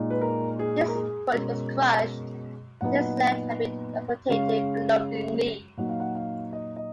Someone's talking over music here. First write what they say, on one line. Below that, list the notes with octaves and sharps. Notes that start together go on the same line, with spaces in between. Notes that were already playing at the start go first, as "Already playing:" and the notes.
His foot was crushed and his leg had to be amputated below the knee.
Already playing: A#2 G#3 D#4
B4
A#4
G#4
A#4
G#4
B2 G#3 C#4 A#4
A#2 F#3 B3 D#4 F#5
C#3 G#3 C#4 F5
A#2 F#3 A#3 D#4 F#5
F5
F#5
F5
D#5
D#5